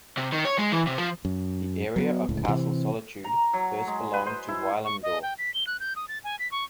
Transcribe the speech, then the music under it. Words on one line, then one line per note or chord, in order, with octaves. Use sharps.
The area of Castle Solitude first belonged to Weilimdorf.
C3
D#3
C#5
G#3
E3
C3
F3
F#2
F#3 G#3 B3
D1 C#2 A2
C3 E3 C4
A#5
F#3
G#3
B4
C5
E4
C#6
D#5
G5
B6
G7
F#6
G6
D#6
A6
G#5
B6
C#6